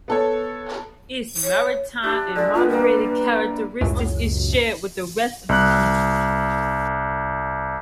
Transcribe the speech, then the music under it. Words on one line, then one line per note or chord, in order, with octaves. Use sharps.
Its maritime and moderated characteristics is shared with the rest of the country.
B3 A4 C#5
C#5
D4 E4 G4
D3 G#3 D5
B2 B3 F4
G3 A#3 B4
C#2 F#2 A2 F#3
C2 F#6